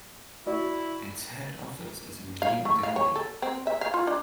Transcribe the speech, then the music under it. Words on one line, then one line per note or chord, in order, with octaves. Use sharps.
Its head office is in New Delhi.
E4 F#4 D5
F5
A3
F5
C#5
A4
C4
E5
F5
F4
D4